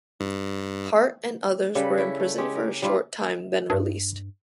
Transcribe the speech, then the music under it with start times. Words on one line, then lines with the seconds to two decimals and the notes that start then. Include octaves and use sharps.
Hart and the others were imprisoned for a short time, then released.
0.20 G2
1.75 C#3 G3 A4 B4
1.98 C#4 E4
2.20 A3
2.38 G#3 C#4 G4
2.55 A#4
2.82 G3 D4 E4 F4
3.70 G2